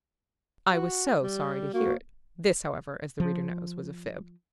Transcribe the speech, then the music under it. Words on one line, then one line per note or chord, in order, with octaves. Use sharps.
"I was so sorry to hear it." This, however, as the reader knows, was a fib.
F#4
G3
A#3 F#4
F3